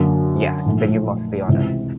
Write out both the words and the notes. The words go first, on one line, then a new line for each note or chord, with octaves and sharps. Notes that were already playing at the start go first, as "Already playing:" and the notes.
Yes, then you must be honest.
Already playing: F#2 D3 F#3 A#3
A#1 G#2 F3 A3
C#2 C3 E3 G#3